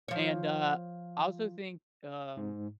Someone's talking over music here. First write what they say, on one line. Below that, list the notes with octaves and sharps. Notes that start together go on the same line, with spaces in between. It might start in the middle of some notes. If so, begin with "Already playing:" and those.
and, uh, I also think, um
F3 C#5
G#2